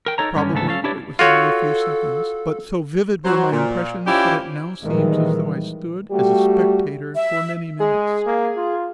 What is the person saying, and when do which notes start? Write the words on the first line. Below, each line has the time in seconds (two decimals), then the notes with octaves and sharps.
Probably it was only a few seconds, but so vivid were my impressions that it now seems as though I stood as a spectator for many minutes.
0.06 A#4 G5
0.18 D#4 A4 C#5 A#5
0.35 G2 D3 C#4
0.52 D2 G#2 C#3 B3 A4
0.68 C#4 A4 F5
0.84 D4 E4 G4 B4 C#5 D5
1.19 F4 F#4 A4 C#5
3.24 F#3 F#4 C5
3.52 A#2
4.07 C#4 E4 F4 G4 C5 D5
4.83 A#2 D#3 E3 G3 G#3
6.11 G3 A3 F#4 G4
7.15 E5
7.80 G#3 G#4
8.26 A#3
8.57 F4